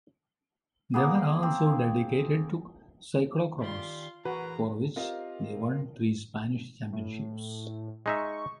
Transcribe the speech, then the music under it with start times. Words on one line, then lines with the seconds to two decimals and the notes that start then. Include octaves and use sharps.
They were also dedicated to cyclo-cross, for which they won three Spanish Championships.
0.94 A#3 B3 G#4
1.43 C4
3.61 D#3 F4 G4 D5 C6
4.25 E3 F#4 G#4 A#4 B4 A#5
4.96 C4 F4 G4 A#4 D#5 F5
6.93 A2
8.06 G#3 D#4 E5 C#6